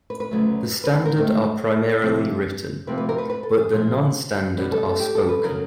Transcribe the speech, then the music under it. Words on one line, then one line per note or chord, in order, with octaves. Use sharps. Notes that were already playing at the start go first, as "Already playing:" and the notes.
The standard are primarily written, but the non-standard are spoken.
B4
B4
D2 C#3 F#3 A3
B4
B4
A#4
G#2 D#3 F#3 A3
C3 F3 A#3
D2 C3 F3 A#3 B4
B4
A#4
B4
B4
A4
G#4
A#2 F3 A#3
B2 G3 B3 B4
A4
A4
G4
A4
B4
C#3 F#3 A#4